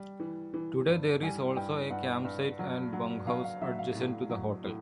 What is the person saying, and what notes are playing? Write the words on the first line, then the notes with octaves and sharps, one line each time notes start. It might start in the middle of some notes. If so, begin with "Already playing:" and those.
Today there is also a campsite and bunkhouse adjacent to the hotel.
Already playing: G3
E3
E3
G2
G3 G#5
G2 G5
G2 F#5
G2
F#3
F#3
F#3 F5
F5
F#3 E5
F5
A2
F#3
A2